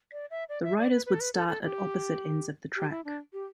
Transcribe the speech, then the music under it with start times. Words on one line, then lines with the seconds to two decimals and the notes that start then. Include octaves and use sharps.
The riders would start at opposite ends of the track.
0.12 D5
0.31 E5
0.49 D5
0.64 E5
0.78 D5
0.91 B4
1.06 B4
1.13 A4
1.20 B4
1.34 A4
1.49 A4
1.63 G4
2.76 G4
2.91 E4
3.05 D4
3.33 G4